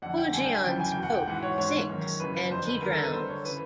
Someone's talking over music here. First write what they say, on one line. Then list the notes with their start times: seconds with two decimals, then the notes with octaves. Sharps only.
Hou Jian's boat sinks and he drowns.
0.02 F2 D3 F#5
0.18 G5
0.33 G2 D3 G#5
0.44 G5
0.54 G#5
0.64 F#2 C#3 E3 G5
0.80 G#5
0.92 E2 B2 G5
1.03 F#5
1.14 G5
1.27 G#2 E3 F#5
1.43 C#5
1.58 G#2 E3 C#5
1.89 F#2 D#3
2.20 F#2 C#3 E3 B4
2.51 F2 D3 C5
2.67 B4
2.82 G2 D#3 A#4
2.93 A4
3.03 B4
3.13 G2 D3 C5
3.29 C#5
3.45 C#3 E3 B4